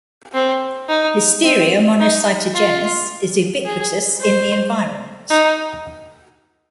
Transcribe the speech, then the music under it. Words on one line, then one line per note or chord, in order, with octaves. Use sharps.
"Listeria monocytogenes" is ubiquitous in the environment.
C4
D#4
C4
D#4
F4
G#4
C5
D#4